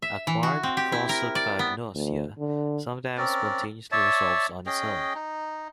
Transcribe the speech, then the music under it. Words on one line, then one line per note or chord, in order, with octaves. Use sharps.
Acquired prosopagnosia sometimes spontaneously resolves on its own.
E5
E3
F#4
C4
G4
E4
A#4
D5
B3
D2
D3
C4 C#4 A#4 D5
C#5 D5 E5 A5
C#4 G#4 D#5 G5
D#4